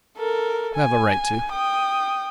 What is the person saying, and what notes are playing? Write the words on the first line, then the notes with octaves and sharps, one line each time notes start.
You have a right to.
A4 A#4
G#5
G5 D#6